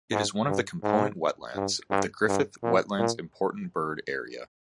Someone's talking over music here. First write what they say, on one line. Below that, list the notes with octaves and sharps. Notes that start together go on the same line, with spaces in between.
It is one of the component wetlands of the Griffith Wetlands Important Bird Area.
G#2
G2
G#2
G2
G2
G2
A#2
A#2